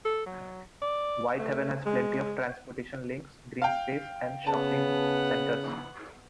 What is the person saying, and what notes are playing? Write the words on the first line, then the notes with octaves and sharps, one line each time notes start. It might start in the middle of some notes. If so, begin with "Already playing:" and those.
Whitehaven has plenty of transportation links, green space and shopping centres.
A4
F#3
D5
A3
G#3
F5 G5
C#3 B3 F#5 A5